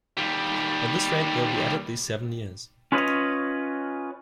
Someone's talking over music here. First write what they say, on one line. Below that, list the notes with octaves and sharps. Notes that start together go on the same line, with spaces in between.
At this rate they'll be at it these seven years.
D#2 G3
C#4 F4 B4 C#5 D#5